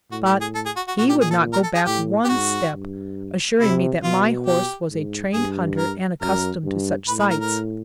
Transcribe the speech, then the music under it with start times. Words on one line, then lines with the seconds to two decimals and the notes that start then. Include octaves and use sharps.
But he would not go back one step, assuring me that my horse was a trained hunter and accustomed to such sights.
0.11 A2 F#4
0.26 G4
0.41 G#4
0.55 A4
0.66 G#4
0.76 F#4
0.88 F#4
0.99 A#2 F#4
1.09 G4
1.21 G#4
1.31 A4
1.53 A#4
1.64 A4
1.75 G#4
1.86 A2 G4
2.25 G4
2.29 G#2 F#4
2.73 G2
3.60 C3 E4
4.03 B2 F4
4.47 G4
4.91 G#2
5.34 G2 G#4
5.78 A#4
6.21 F#2 A#4
6.64 G2
7.08 A2 B4
7.20 B4
7.31 A#4
7.41 A#4